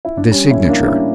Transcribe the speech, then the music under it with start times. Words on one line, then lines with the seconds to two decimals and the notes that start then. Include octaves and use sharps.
The Signature.
0.05 E4
0.17 D4
0.31 G3 C#4
0.50 A2 C#4 E4
0.69 A2 A#3 D4
0.83 D4
0.87 G3 C#4 E4